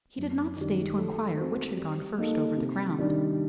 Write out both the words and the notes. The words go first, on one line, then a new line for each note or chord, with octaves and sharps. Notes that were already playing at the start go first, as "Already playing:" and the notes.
He did not stay to inquire which had gone first over the ground.
F#2
D#3 G3
A3
C4 F#4 C5
G3
A#3 D#4 A4
C3
D#3 G3 D4